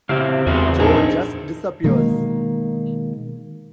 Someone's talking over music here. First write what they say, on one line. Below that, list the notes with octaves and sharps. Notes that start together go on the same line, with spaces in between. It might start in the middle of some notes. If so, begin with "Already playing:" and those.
Joe just disappears.
C#3 C4 E4 G4 F5
E2 F#4 G#4 C5
A#1 D#4 G#4 A#4 A5
B2 D#3 G#3 A#3